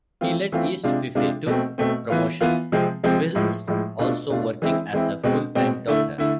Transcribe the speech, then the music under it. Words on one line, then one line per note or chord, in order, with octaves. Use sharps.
He led East Fife to promotion, whilst also working as a full-time doctor.
E3 A3 C4 F4
E3 A3 C4 F4
C3 G#3 D4 F4
C3 G#3 D4 F4
B2 A3 C4
B2 A3 C4
E3 B3 F4
E3 B3 F4
C3 F3 G#3 C4
C3 F3 G#3 C4
A2 F3 G#3
A2 F3 G#3
B2 A3 D4 F4
B2 A3 D4 F4
E3 G#3 C4 E4
E3 G#3 C4 E4
B2 G#3 C4
B2 G#3 C4
D3 A3 E4
D3 A3 E4